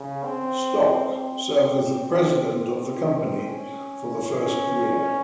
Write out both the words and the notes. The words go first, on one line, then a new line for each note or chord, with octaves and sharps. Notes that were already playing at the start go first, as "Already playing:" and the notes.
Stock served as the president of the company for the first year.
Already playing: C#3
C4
C4
C4
C#4
C#4